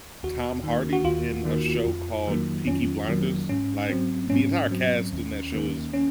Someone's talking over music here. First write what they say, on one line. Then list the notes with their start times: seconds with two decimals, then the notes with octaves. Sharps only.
Tom Hardy in a show called Peaky Blinders, like, the entire cast in that show was
0.23 D#2 F#4
0.63 D#3 A#3
0.93 F#4
1.04 D#2 F4
1.45 D#3 A#3
1.86 F2
2.27 D#3 F#3 A#3
2.67 F2 C#4
3.08 D#3 F#3 A#3
3.49 G#2 C#4
3.89 F#3 C4
4.30 G#2 C#4
4.71 F#3 C4
5.12 D#2
5.52 D#3 A#3
5.93 C#4